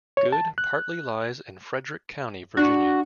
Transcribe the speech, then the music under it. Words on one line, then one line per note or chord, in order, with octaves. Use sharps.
Good partly lies in Frederick County, Virginia.
C#5
A5
F#6
D4 F#4